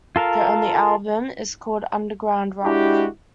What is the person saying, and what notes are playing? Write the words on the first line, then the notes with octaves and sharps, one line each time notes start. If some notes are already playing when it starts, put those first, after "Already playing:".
Their only album is called "Underground-Rock".
F4 A4 A#4 F5
G#3 D4 E4 F#4 G4